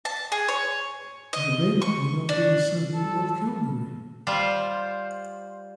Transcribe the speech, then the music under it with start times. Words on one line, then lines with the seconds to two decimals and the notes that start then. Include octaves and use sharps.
Levant grew up in a suburb of Calgary.
0.05 A5
0.32 G#4
0.48 C#5
1.33 D#5
1.82 C#6
2.29 D4
2.94 A4
4.27 G3 F4 C5